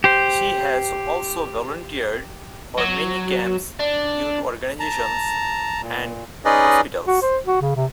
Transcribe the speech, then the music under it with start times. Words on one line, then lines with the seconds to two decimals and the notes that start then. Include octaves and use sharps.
She has also volunteered for many camps, youth organizations, and hospitals.
0.04 G4 C5
2.78 F#3
3.79 D4
4.80 A5 A#5
5.82 A#2
6.45 C#4 D#4 G#4 B4 D5 D#5
7.07 F#4
7.22 C5
7.47 F#4
7.61 C#3
7.76 C3